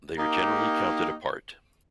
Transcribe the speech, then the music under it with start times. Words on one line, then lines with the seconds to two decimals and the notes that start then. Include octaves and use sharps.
They are generally counted apart.
0.17 A#3 D#4 G4